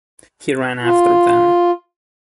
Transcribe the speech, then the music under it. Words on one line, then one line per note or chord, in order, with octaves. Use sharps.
He ran after them.
F4